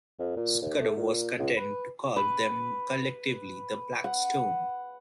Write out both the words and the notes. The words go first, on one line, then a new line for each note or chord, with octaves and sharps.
Scudder was content to call them collectively the “Black Stone”.
F2
A#2
D#2
A3
A#2
C#2
B4
B4
F#5